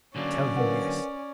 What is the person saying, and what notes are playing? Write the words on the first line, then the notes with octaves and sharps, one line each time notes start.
"Tell him yes!"
D3 F#3 A#3 C#4 D5
A#4 B4 F#5